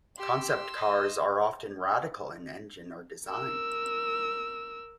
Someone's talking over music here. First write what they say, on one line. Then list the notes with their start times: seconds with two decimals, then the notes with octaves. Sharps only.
Concept cars are often radical in engine or design.
0.18 G4 C6 E6
0.77 D#5
3.28 A#4 E6